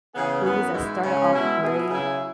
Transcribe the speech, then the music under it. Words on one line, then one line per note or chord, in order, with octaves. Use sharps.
movies that started off great.
C#3 E3 B3 G#4
F#2 E3 B3
G#2 E3 G#3 E4
C#3 G#3 C#4
B2 G#3 E4
B2 B3 E4 G#4
C#3 F#3 E4 G#4